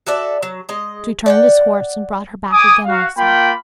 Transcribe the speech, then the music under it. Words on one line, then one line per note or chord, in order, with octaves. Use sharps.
So he turned his horse and brought her back again also.
F#4 A4 D5 E5
F#3
G#3 D#5
D5 F#5 G5
G#5 D6 D#6
F#4 F5
A#3 F4 G5 B5